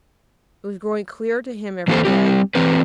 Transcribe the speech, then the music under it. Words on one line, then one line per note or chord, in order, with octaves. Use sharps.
It was growing clearer to him every day.
E3 A#3 C4 G#4 A4 C5
G3 C4 G4
E3 A3 C4 B4